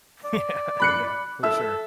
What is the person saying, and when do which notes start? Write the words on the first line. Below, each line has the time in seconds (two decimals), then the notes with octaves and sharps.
Yeah. Yeah. For sure.
0.25 D5
0.80 B5 F#6 C#7
1.43 A4 E5 E6